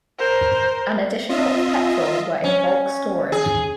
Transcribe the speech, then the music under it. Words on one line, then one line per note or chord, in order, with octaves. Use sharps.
An additional of petrol were in bulk storage.
A#4 C5
C4 F4 D#5 E5
C#4
G#4